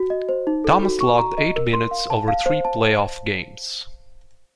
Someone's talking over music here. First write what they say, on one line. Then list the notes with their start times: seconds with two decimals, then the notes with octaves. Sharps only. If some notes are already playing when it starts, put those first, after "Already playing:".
Thomas logged eight minutes over three playoff games.
Already playing: F#4
0.10 D#5
0.29 C5
0.47 D#4
0.64 A4
0.83 F#4
1.01 C#6
1.19 A#5
1.38 D#5
1.56 A#4
1.73 C6
1.91 F5
2.10 A5
2.28 F5
2.46 C5
2.65 A5